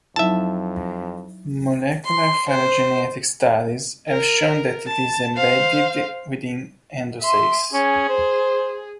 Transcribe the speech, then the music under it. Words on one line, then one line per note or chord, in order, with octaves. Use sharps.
Molecular phylogenetic studies have shown that it is embedded within "Androsace".
F2 F#3 D#4 E4 E5 A5
C6
C5
A#4
A5
C5 F5
E5 C6
C#4 G#4
C5